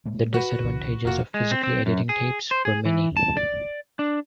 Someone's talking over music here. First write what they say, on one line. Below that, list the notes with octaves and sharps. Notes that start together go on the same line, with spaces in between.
The disadvantages of physically editing tapes were many.
A2 G#3 A#3
F#4 B4
C2 C#3 E3
F1 A#3 F4 F#4
G#3
C4
C4
F#2
G#4
C5
G#4
E3
A5
D5
D4